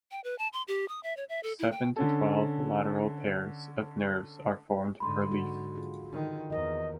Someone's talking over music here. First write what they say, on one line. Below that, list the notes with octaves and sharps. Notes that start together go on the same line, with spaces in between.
Seven to twelve lateral pairs of nerves are formed per leaf.
G5
B4
A5
C6
G4
D#6
E5
C#5
E5
A4
E4
G5
D3 C#4 A4
G#2 D3 B5 C6
F#4
F4 G#4
D3 D#3
E2 D#3 A#4 C5 D#5